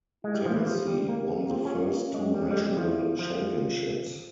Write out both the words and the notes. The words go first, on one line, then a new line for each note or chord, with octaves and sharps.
Tennessee won the first two national championships.
G#3 E4
G3
F3
E3
F3 G4
G3
A#3
A#3
C4 F4
C#4
A#3 C#4
G#3
G3
G#3
G3
G#3
G3
F3 E4
F3 F4